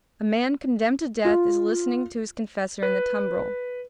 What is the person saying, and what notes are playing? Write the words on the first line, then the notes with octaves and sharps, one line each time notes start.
A man condemned to death is listening to his confessor in the tumbrel.
F4
B4